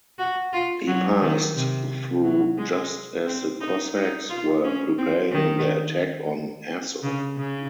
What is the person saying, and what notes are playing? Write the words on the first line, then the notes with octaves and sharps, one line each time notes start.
He passed through just as the Cossacks were preparing their attack on Azov.
F#4
F4
F#3
D#3
C3
F#3
G#3
C4
D#4
D#4
F4
C#4
C4
D#3
C#3
C#3